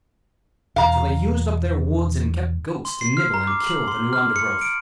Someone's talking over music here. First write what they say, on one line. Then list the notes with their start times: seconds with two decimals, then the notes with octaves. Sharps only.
So they used up their woods and kept goats to nibble and kill the new undergrowth.
0.76 E1 F5 A#5
2.85 C6
3.01 C7
3.17 F6
3.34 A#5
3.47 D6
3.67 F#7
3.88 C6
4.13 F6
4.36 C#7
4.61 D7